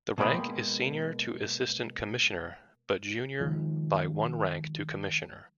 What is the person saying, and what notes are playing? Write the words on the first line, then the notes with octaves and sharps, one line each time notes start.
The rank is senior to Assistant Commissioner, but junior by one rank to Commissioner.
B2 G#3 A#3 D5 G5 B5
D#3 F3 G#3